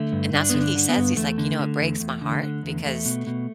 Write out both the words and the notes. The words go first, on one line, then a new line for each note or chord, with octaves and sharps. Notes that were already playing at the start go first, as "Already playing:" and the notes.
And that's what he says, he's like, you know, "It breaks my heart," because
Already playing: D3 A3
G2
G2 D4
D3 B3
D4
D3
B3
G2
E2 A3
D3
D3
E2
E2
D3
D3
E2
E2 A3
B2
B2